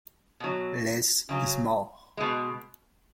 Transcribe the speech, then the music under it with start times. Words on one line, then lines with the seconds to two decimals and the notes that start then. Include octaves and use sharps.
Less is more.
0.40 B2 F#3
1.29 C#3 F#3
2.17 B2 G#3